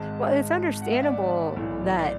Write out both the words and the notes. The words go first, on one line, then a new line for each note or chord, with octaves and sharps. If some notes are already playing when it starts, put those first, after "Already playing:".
Well, it's understandable that,
Already playing: G#1 G#2 G#3 A5
F#5
E5
D5
B1 A2 E3
D5